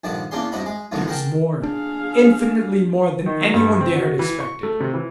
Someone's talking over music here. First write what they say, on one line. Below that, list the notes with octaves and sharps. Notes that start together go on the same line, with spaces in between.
It was more, infinitely more, than anyone there had expected.
A#1 G2 D3 D#3 D5 A5
E2 A#3 C#4 D4 G#4 C6
G2 C3 D#4 F#4 A#5 B5
G#3 G#4
F2 G#2 B2 D3 D#3 F#3
G#4 A#4 F#5 G5 A5
D4 G#4 F5
D#3
F#3
G2
C4
F#4
E3
C#6
A3
C3
E3